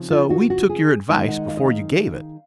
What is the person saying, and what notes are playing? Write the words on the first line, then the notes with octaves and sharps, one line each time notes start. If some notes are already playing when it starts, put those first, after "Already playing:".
So we took your advice before you gave it.
Already playing: C#3 F3 C4 D#4
F4
F#4
F#4
G#4
D#3 G#3 D#4 F5
F#5
F5
D#5
F5